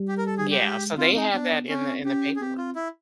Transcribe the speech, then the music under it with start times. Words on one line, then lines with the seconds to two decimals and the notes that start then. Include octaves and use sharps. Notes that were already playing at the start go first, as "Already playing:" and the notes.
Yeah, so they have that in the in the paperwork.
Already playing: G3
0.08 G4
0.18 A#4
0.26 A4
0.38 G#4
0.50 G4
0.62 G#3
0.97 C4 F4
1.15 D#4
1.33 B3 D4
1.68 C4 C#4
2.05 C#4 G4
2.36 G#4
2.41 C4 G4
2.58 F4
2.76 E4